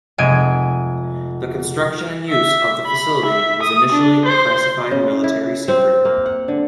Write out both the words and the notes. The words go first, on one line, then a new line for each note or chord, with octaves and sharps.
The construction and use of the facility was initially a classified military secret.
F1 G#3 G#5 G#6 D7
E5
B5
E5
D#6
D4
C5
C#3
E4
C4
A#3
F#5
D3